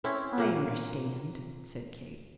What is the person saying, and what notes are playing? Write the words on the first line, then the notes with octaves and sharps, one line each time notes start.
"I understand," said Kate.
C4 C#4 E4
A#2 A#3 F#5